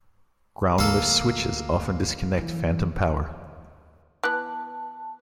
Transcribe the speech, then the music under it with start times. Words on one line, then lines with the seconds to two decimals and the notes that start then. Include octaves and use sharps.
Ground lift switches often disconnect phantom power.
0.79 D2 A#3 A4
2.38 E3
4.24 E3 B3 A5 D6 F#6